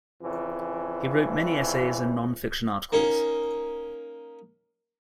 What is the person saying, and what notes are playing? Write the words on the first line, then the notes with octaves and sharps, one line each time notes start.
He wrote many essays and non-fiction articles.
F2 C#3 E3
A#3 C#4 D#4 A#4